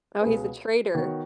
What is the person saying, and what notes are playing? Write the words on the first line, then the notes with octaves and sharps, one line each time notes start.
Oh, he's a traitor.
C#2 B2 B3 G#4 B4
D#3 B3 F#4 C#5